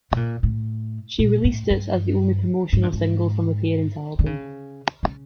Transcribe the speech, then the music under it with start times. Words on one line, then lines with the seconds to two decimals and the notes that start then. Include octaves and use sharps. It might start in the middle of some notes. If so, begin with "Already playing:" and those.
She released it as the only promotional single from the parent album.
0.12 B2
0.17 A#2
0.43 A2
1.19 A#2
1.44 A2
1.70 G2
2.73 G#2
2.83 G2
2.93 G#2
4.19 D3
4.26 C#3
5.03 C#3